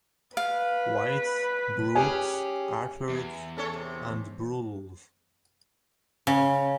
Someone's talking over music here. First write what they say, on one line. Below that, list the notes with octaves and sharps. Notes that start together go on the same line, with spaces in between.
White's, Brooks's, Arthur's, and Boodle's.
B4 F5
C#4 G4 G#4 G#5
E2
C#4 A4 C#5
C3
C#3